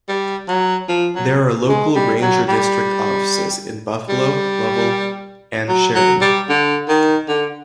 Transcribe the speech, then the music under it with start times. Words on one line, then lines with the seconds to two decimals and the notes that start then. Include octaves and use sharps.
There are local ranger district offices in Buffalo, Lovell, and Sheridan.
0.09 G3
0.48 F#3
0.89 F3
1.16 F#3
1.69 G#3
1.95 G3
2.22 F#3
2.48 G3
4.09 G3
5.69 F#3
5.95 F#3
6.21 G3
6.49 D3
6.88 D#3
7.28 D3